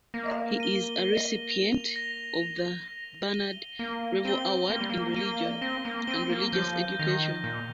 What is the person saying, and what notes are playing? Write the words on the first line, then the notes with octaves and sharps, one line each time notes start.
He is a recipient of the Bernard Revel Award in Religion and Religious Education.
A#3 A#6
D#7 G7
A#6
F7
A#6
F7
A#6
D#7 G7
A#3 A#6
C4 D#7 G7
A#3 A#6
G3
A#3
A#3 D#7 G7
C4 A#6
A#3
C4 D#7 G7
A#3
F3 G6
D#3 A#6 F7
A#2 G6